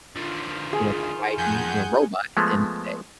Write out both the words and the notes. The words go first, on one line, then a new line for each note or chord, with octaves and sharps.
you know, providing, you know, robot at the end of the day,
D3 D#3 F3 F4
G#4
F2 F#5 G#5 G6
F3 G#3 A3 B3